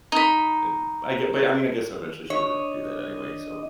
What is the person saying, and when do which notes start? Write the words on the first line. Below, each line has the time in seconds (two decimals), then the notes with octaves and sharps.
And I get but, I mean, I guess, eventually she would have to do that anyway. So
0.12 D#4 B5
2.30 D4 C#5 D#5